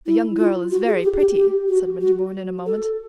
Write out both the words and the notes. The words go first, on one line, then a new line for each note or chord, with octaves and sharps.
"The young girl is very pretty," said Winterbourne in a moment.
E4
F4
F#4
G#4
G4
G4
G4
F#4
F#4
A4